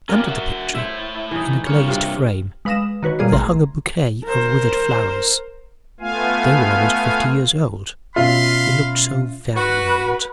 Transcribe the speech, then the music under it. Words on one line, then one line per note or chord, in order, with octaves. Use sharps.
Under the picture, in a glazed frame, there hung a bouquet of withered flowers; they were almost fifty years old; they looked so very old!
C#4 F4 G4 A#4 D5
F#4 D#5 E5
A2 E4 C5 E5
E3 D#4
G2 A#3 C#5
C3 F4 F5
G#3 B4 F5 D#6 A#6 E7
D#3 F#4 B4 C#5
A#2 G3 A#3 G#4 D5 C7
A1 A#5 C6
A#4 C5
A3 B3 F4 F5 G#5
B2 C#4 F4 E5 F5 B5 C6
F#4 B4